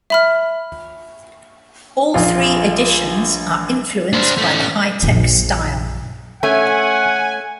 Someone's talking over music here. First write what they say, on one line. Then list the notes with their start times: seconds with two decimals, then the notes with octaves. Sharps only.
All three additions are influenced by the high-tech style.
0.10 E5 B5 F6
2.14 A#1 F4
4.13 D4 C5
4.38 A3 C#4
5.03 A#1 F#2
6.43 A3 C#4 F#5 G#5